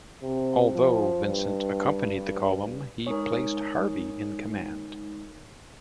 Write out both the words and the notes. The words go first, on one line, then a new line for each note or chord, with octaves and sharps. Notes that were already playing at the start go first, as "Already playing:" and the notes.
Although Vincent accompanied the column, he placed Harvey in command.
C3
F3
G2
G#3 D#4 A#4 C#5